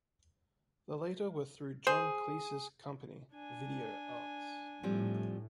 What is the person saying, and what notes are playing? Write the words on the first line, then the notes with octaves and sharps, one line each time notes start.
The latter were through John Cleese's company Video Arts.
G#4 C5
D4 G#5
A2 F3 G3 C4